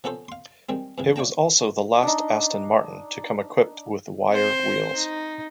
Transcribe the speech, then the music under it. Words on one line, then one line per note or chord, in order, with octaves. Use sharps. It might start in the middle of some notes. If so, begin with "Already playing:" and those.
It was also the last Aston Martin to come equipped with wire wheels.
F3 B3 C#4 A4 C5
F5 C6
D#3 G3 G#3 C4
E2 G2 C3 E3
C#5 D5 F5 G5 A5 A#5
D4 D#4
C4 C5
D#4